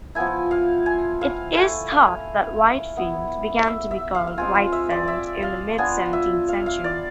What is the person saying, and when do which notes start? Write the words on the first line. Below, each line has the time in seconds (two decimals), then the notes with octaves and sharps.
It is thought that Whitfield began to be called 'Whytefeld' in the mid-seventeenth century.
0.15 F3 B3 E4 G#5
0.51 F5
0.86 G#5
1.21 F5
1.56 A3 E4 G#5
1.92 F5
2.97 B3 E4
3.67 E5
3.91 E5
4.15 F5
4.27 F5
4.37 G#3 C4 F4 G#5
4.55 F5
4.72 E5
4.90 D5
5.08 E5
5.42 F5
5.78 B3 D4 F4 G#5
6.13 E5
6.48 F5
6.66 F5
6.84 D5